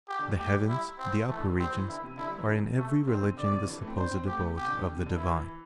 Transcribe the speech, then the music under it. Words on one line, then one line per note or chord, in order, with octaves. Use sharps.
The heavens, the upper regions, are in every religion the supposed abode of the divine.
G4
D3
G3
A3 G4
G3
E4
C4
E3 A3
D3
E3
G3 C4
E3
D3 E4
C3
D3 E4
G3
E3
D3
C3
A3
D3 C4
C3
D3 D5
C3
E3
D3
E3
A3
C4
D4 C5
C4
A3 G4
A3
C3 G4
D3
D3
C3
C3
D3
E3 E4
E3